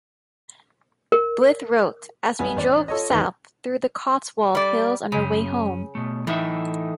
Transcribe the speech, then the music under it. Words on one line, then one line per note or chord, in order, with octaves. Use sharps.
Blyth wrote: As we drove south through the Cotswold hills on our way home...
A#4
B1 G3 B3 G#5
A1 D5
F4 A4 C#5 D#5
G#1 E2 D#4 A#6 G7
G3 D5
F#2 C#3 C#4
B2 A3
A2 E3 D#4 E5